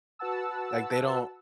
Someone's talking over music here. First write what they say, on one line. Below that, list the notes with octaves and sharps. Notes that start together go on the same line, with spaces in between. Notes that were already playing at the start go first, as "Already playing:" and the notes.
Like, they don't
F#4 B4 F#5 A5 E6